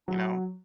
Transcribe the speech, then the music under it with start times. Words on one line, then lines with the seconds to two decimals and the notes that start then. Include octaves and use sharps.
You know?
0.08 F#3